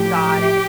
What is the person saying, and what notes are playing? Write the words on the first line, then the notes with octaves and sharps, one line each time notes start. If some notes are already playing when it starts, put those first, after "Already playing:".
Got it.
Already playing: A2 F3 G4